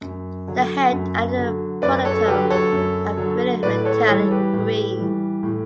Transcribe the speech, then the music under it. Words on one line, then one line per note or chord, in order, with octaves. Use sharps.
The head and the pronotum are brilliant metallic green.
F#2
D3 F#3
F#2
D3 F#3
F#2 B4 D5
A4 C#5
D3 F#3 G4 B4
A4 C#5
F#2
D3 F#3
A2 B4 D5
A4 C#5
E3 G3 A4 C#5
G4 B4
A2
E3 G3
A2